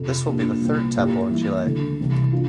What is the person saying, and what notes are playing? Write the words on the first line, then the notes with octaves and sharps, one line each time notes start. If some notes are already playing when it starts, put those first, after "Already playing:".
This will be the third temple in Chile.
Already playing: F2 C3 F3
F3 A#3 D4 G4
C2 A#2 F3 C4
A2 F3 A#3 E4 G4
E3 G3 A#3 E4
D2 D3 A3 E4
C2 C3 E3
D4 F4